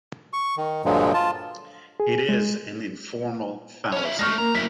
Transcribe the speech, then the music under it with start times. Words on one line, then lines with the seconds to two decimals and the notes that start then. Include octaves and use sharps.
It is an informal fallacy.
0.33 C#6
0.57 D#3
0.85 G2 A#2 D3 F3 F#3 G#3
1.14 F4 A5
2.00 G#4
2.29 G#3
3.92 C#4 C#5
4.05 F4 E5
4.19 G#3 A3 C#6 F6 A#6
4.38 A#3 A#5
4.55 F#3 A#3 E4 B6